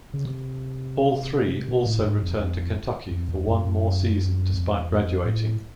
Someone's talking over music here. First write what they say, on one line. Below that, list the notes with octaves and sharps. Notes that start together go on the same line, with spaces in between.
All three also returned to Kentucky for one more season despite graduating.
C#3
C3
B2
A2
G2
G#2
F2
F2
F2
E2
F#2
F#2
F2
E2
F2
A2